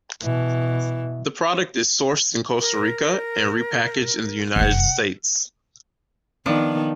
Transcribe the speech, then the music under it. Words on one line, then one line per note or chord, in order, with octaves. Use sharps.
The product is sourced in Costa Rica and repackaged in the United States.
B2 E3
A#4
F1 F#2 F#5
D#3 F3 B3 D4